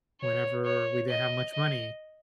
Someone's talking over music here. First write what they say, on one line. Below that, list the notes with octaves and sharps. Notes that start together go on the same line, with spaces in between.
whenever we didn't have much money,
C#5
C#5
D#5
D#5